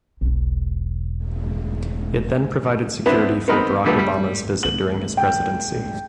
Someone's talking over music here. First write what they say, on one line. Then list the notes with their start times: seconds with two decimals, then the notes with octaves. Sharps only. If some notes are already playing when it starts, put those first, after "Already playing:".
It then provided security for Barack Obama’s visit during his presidency.
0.21 E1 B1
3.06 B3 C4 D4 E4 B4
3.48 B3 C4 D#4 A#4 B4
3.84 A#2 D3 G3 A3 B3
3.99 G3
4.63 F#7
5.17 G5